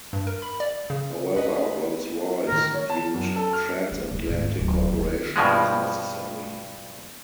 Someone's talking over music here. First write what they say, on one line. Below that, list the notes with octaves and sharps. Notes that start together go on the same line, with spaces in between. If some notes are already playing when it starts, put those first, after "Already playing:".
However, Rolls-Royce viewed transatlantic cooperation as necessary.
G2
A#4
B5
D5
C#3
B4 D#5
A2 D#3 A#4
C#5
A5
F#2
A4
F6
D#3
D#1
G#2 D#3
D1
D#3
G2 B2 F3 G#3